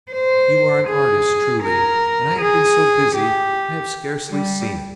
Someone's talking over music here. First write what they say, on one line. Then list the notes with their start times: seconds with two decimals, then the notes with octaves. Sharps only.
You are an artist, truly, and I have been so busy I have scarcely seen it.
0.11 C5
0.88 G#4
1.64 A#4
2.40 G#4
3.16 G4
4.30 G3